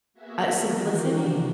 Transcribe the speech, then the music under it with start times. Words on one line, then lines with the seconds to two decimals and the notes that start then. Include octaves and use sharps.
Uh, simplicity?
0.14 A#3 B3 F#4 G#4 E5
0.59 D#3 E3 F#4 G4 A#4
1.09 C3 F3 A#3